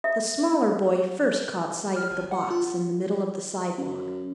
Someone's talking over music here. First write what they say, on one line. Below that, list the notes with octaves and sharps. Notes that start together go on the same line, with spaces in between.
The smaller boy first caught sight of the box in the middle of the sidewalk.
E5
F6
G#1
F#5
F4
F#2